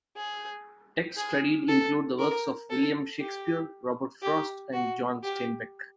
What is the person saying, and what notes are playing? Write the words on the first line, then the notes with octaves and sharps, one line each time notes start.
Texts studied include the works of William Shakespeare, Robert Frost and John Steinbeck.
G#4
G#4
A4
A#4
A4
G4
G4
F#4
G4